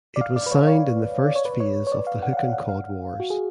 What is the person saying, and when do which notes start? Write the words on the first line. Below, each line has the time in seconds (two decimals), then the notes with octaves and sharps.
It was signed in the first phase of the Hook and Cod wars.
0.16 D5
0.21 F5
0.36 D5
0.46 B4
0.52 C#5
0.67 C#5
1.26 D5
1.35 C#5
1.45 B4
1.60 C#5
1.87 C#5
1.92 D5
2.07 F5
2.22 F#5
2.33 F5
2.37 F#5
2.53 F#5
2.69 F5
3.20 F#4
3.30 G#4